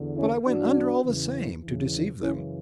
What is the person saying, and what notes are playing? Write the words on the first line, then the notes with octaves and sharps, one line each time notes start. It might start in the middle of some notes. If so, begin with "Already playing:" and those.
But I went under all the same to deceive them.
Already playing: E2 D3
C#4 E4
G2 E3 D4 F#4
E2 C#3 E3
E2 C#3 E3
F#2 C#3 E3 C#4 E4